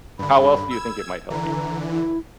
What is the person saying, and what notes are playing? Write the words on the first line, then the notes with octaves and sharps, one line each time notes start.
how else do you think it might help you?
G2 D3 B5
E6 G#6
D3 E3 A#5
E4